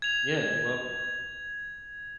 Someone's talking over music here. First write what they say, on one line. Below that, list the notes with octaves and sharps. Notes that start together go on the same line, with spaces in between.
Yeah, you're welcome.
G#6 F7